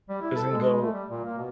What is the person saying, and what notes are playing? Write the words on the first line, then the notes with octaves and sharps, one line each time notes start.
'cause it can go
G3
E4
A4
G#3
A3
G3
A#2
A#3
B2